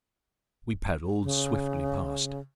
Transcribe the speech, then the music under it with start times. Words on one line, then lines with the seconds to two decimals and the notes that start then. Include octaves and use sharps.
We paddled swiftly past.
1.23 C#3